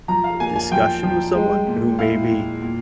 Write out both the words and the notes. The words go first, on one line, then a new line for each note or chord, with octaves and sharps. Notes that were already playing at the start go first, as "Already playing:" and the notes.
uh, discussion with someone who maybe
F3 A#5
F5
A#3 G#5
G#5
F3 G5
F3
G#3
A#2
E4 F5
A#2
A#2